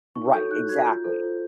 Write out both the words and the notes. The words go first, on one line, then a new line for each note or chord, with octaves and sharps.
Right, exactly.
D#4 C#6
F#4 A4 C#5 G6
D#4 F#6
F#4 A4 C#5 G#6
F4 G6
A4 C5
F4